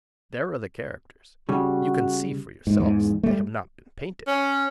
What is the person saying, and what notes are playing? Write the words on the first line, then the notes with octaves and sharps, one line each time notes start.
There are the characters: you can see for yourselves that they have not been painted.
C#3 G3 F#4
G#2
E2 G#2
G3 A3
C#4